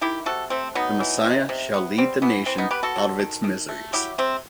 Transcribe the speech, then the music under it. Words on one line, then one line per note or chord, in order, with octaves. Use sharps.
The Messiah shall lead the nation out of its miseries.
D#3 E4 G4
C3 F#4 A4
A3 C4
F#3 B3 D#4
E3
C3
C3
B3
G3 C4
E3 B3
E3 C4
B3 D#4
B3 G4 B4
F#4 A4
F#3
D#3
D#3
A3
F#3 E4 G4
C3 C4